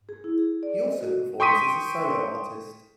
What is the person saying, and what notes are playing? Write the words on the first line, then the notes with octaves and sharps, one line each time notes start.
He also performs as a solo artist.
G#4
E4
G#4
D5
D#5
F#4
G5 C6 C#6 D#6 B6 D#7